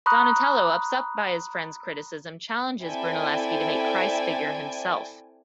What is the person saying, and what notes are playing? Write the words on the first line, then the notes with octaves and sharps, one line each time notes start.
Donatello, upset by his friend's criticism, challenges Brunelleschi to make Christ's figure himself.
A#5 B5 C#6 D#6 F#6
C4 E4 A4 D5 G5 G#5